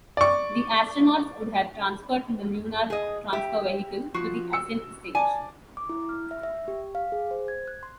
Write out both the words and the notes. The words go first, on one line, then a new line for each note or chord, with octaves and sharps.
The astronauts would have transferred from the lunar transfer vehicle to the ascent stage.
D5 C#6
G#4 D#5
G4 E5
F3 F#4 C#6 C7
E6 C#7
D5 G#5 A5
D6
E4
F6
E5
E5
G4
F5
G#4
C5
G#6
F#6
C6